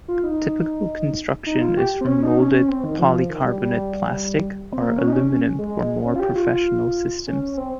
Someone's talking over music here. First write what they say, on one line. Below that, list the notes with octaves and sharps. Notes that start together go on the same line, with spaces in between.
Typical construction is from moulded polycarbonate plastic, or aluminum for more professional systems.
F4
D#4
D#4
F4
G4
C4
C#4
D#4
C#4
C#4
C4
D#3
F3
D#3
G3
G3
C4
A#3
C#4
D#4
C#4
C#4
G#3
C#4
F4
G4
F4
F4
C#4
C#4
C4